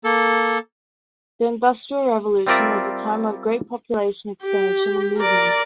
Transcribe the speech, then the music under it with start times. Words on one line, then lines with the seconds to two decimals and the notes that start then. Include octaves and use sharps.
The Industrial Revolution was a time of great population expansion and movement.
0.04 A#3 A4
2.47 G3 C4 F4 A#4 D5 E5
4.44 G4
5.19 A#4 D5